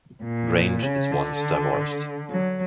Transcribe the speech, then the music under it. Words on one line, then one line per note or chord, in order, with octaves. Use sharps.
Grange is once divorced.
A#2
C#3
D3
F#3